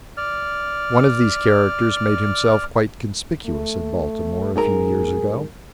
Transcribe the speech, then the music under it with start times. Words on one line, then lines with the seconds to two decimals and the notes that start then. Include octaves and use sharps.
One of these characters made himself quite conspicuous, in Baltimore, a few years ago.
0.17 D5 F6
3.46 A3
4.56 B1 G#2 G#4 A#4